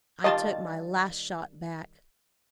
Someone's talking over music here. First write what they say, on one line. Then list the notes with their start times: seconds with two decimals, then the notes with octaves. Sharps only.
I took my "Last Shot" back.
0.24 D#3 G3 F4 D#5 A5 A6